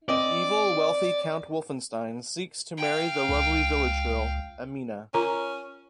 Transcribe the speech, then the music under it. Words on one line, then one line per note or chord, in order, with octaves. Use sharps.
Evil, wealthy Count Wolfenstein seeks to marry the lovely village girl, Amina.
C4 D5 D#5
F5 G5
C#2
C#4 F4 A#4 A#5